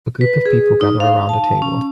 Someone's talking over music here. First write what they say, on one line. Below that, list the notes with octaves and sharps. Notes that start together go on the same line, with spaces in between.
A group of people gather around a table.
B4
G#4
D#4
F5
A5
C#4